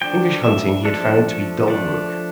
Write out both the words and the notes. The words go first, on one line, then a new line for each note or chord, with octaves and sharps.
English hunting he had found to be dull work.
F3 A3 D4 G5
E5
F3 A3 D4 A4
F3 A3 D4